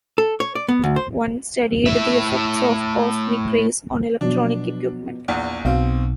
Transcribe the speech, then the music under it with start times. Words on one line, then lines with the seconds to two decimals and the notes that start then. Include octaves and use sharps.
One studied the effects of cosmic rays on electronic equipment.
0.18 A4
0.40 C#5
0.55 D5
0.68 B3
0.84 D2
0.96 C5
1.86 A2 E5
4.21 B2 F3 F#3 D4
5.28 A#1 E2
5.65 B1 B2 C4 F5